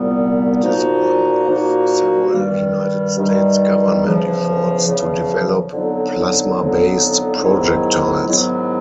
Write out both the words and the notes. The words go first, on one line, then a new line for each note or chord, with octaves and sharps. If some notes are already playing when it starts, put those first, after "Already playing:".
It is one of several United States Government efforts to develop plasma-based projectiles.
Already playing: C2 A#2 G3 B3
A#2 F3 A#3 D#4 F#4
A#2 F3 A#3 D#4 F#4
G2 D#3 G3
G2 D#3 G3
E2 C#3 F3
E2 C#3 F3
F2 D3 F#3 B3 D#4
F2 D3 F#3 B3 D#4
G#2 D#3 F#3 B3 E4
G#2 D#3 F#3 B3 E4